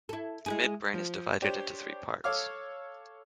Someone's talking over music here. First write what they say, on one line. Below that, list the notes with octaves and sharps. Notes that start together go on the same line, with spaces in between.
The midbrain is divided into three parts.
E4 A4
G#3 E4 G#4
F3
D4 G4 C5 C#5
A4 C#5 F5 D6 F6